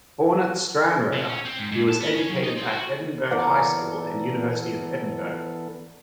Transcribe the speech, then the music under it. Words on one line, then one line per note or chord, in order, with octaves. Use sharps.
Born at Stranraer, he was educated at Edinburgh High School and University of Edinburgh.
C3
C#4
C4
G#2
G#2
A5
B3
C#4
F#3
D#4
C4
F#4
E3 B3 A4 A#4 D5 F#5